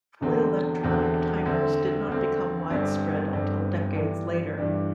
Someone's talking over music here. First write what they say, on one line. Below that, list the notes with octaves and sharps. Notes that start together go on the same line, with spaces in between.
Fully electronic timers did not become widespread until decades later.
E1 E2 D3 C4
E1 E2 D3 C4
D2 D3 C4
D2 D3 C4
G1 G2 G3 C4
G1 G2 G3 C4
G2 E3 G3 D4
G2 E3 G3 D4